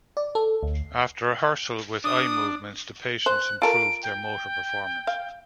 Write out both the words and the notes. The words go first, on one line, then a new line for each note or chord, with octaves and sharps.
After rehearsal with eye movements, the patients improved their motor performance.
D5
A4
D2
D4 D#6
C5 F#6
F4 A4 A#4 D7
G5
F5